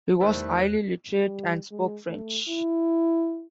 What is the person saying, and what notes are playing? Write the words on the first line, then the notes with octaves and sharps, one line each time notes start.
He was highly literate, and spoke French.
E2 D#3 G3 A3 E4 C5 F#6
G3
G#3
A3
E4